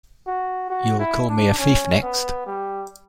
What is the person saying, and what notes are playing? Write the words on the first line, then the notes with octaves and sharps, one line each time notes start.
You'll call me a thief next!
F#4
F#4
E4
D4
C#4
B3
G3